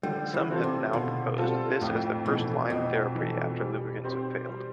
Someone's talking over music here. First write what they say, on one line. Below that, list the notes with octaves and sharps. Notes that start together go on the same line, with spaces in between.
Some have now proposed this as the first line therapy after lubricants have failed.
D3 G3
E3
G3 C4 F4 A4
C3
B2 D3
G3 C4 F4 A4
F2 A2
B2 E3 A3
F2 B2
E3 A3
G3
C4 G4 C5
G3